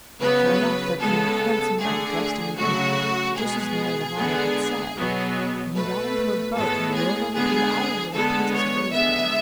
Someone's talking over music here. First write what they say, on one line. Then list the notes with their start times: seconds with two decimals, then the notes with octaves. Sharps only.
Sure enough there came a handsome knight dressed in green, just as the maid of honour had said, and he got into a boat and rowed over to the island where the princess awaited him.
0.20 C#3 F#3 B3 B4
0.99 C#3 G#3 B3 A4
1.79 D3 A3 G#4
2.57 C#3 F#3 A3 F#4
3.37 B2 G#3 B3 G#4
4.16 D3 G#3 B3
4.96 B2 F#3 B3
5.75 B2 A3 B4
6.55 A2 G#3 B3 A4
6.95 G#4
7.34 D3 G#3 B3 G#4
8.13 D3 G#3 B3 A4
8.54 C#5
8.93 D3 G#3 B3 E5